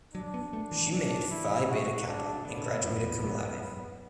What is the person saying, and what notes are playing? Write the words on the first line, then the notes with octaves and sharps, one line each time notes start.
She made Phi Beta Kappa and graduated cum laude.
F#3 D4
B3
A3
E3
D4
E4
F#4
D4
D3 B3
D3
B2
F#2
E2
F#2